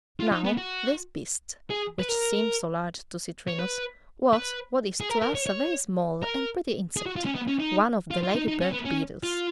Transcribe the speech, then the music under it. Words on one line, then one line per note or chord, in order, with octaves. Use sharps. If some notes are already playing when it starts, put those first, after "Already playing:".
Now this beast, which seemed so large to Citrinus, was what is to us a very small and pretty insect, one of the lady-bird beetles.
F4
D#4
B3
F#4
G#4
B4
A#4
C#5
B4
B4
G#4
A#4
A#4
C#5
C#5
A#4
G#4
F#4
F4
C#4
B3
C#4
D#4
F4
F4
D#4
D#4
C#4
B3
C#4
F4